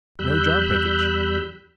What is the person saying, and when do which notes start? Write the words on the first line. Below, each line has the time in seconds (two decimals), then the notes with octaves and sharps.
No jar breakage.
0.19 E2 G3 B5 E6 F#6 G6